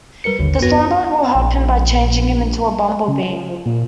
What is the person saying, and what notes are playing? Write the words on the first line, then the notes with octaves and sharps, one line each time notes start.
The Swan-Bird will help him by changing him into a bumblebee.
G3 A#4 B4 C#7
G#1 D#2 D3
F#2 B3 F#4 B4 A#6
A#1
C#3
F3
A#2